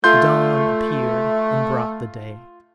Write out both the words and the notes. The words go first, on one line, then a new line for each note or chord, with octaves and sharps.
The dawn appeared and brought the day.
A3 F4 C6 G6